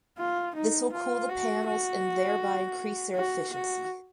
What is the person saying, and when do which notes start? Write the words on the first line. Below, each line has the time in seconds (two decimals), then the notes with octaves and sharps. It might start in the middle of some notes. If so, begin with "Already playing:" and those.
This will cool the panels and thereby increase their efficiency.
0.18 F4
0.55 D#4
0.93 F4
1.29 F#4
1.67 F#4
3.15 F#4
3.52 F#4